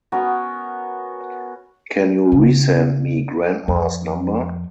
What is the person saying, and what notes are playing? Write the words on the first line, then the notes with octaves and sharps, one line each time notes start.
Can you resend me grandma's number?
B3 C#4 F#4 A#4
C#3
F2